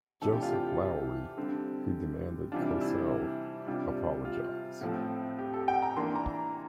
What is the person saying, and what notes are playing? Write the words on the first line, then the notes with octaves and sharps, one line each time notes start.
Joseph Lowery, who demanded Cosell apologize.
C3 E3 A3 D4 A4
G4
F4
G4
D3 G3 C4
C3 E3 G3 D4 F4
E4
C3 G3 D4 F4
F4
A2 F3 A3 C4
G4
A4
G5
A#5
E3 A#3 D4 C6
A#5